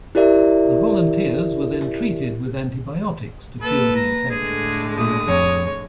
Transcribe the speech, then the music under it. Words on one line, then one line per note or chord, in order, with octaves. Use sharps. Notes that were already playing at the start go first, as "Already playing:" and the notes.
The volunteers were then treated with antibiotics to cure the infections.
E4 G4 A#4 D5 E5
A#3 A4 B4
A#5
A2 D3 G#3 G#4
A#2 A3 D#6
F2 C#5